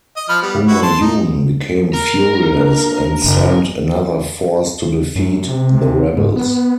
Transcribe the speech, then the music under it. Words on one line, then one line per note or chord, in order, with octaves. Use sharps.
Humayun became furious and sent another force to defeat the rebels.
D#5
F3 B5 F6
G3 B3
E4 F#4
A5 C6
D#4
A#4
A#3 D4
F#1
F#2
C3
G#2
B3